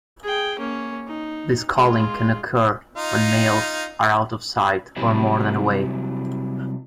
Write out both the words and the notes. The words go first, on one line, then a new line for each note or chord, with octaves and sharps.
This calling can occur when males are out of sight or more than away.
G#4 G5
A#3 C#4
D#4
G#3 F4
D#4 F4
C3 F#3 G3 E4